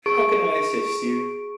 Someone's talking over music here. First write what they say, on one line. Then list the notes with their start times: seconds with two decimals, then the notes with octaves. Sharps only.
How can I assist you?
0.06 G#4 C#6 D7